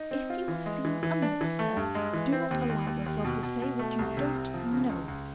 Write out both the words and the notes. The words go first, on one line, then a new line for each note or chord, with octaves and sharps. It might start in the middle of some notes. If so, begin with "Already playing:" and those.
If you have seen amiss, sir, do not allow yourself to say what you don't know!
Already playing: D#4
C4
F4
E3
G#3
E3
E3
D4
E3
A3
G2
G#3
E3
C4
D#2
D#2
D#2
D#2
B2
B2
B2
A3
C2
C3
C2
F3
C#3
C#2
C#2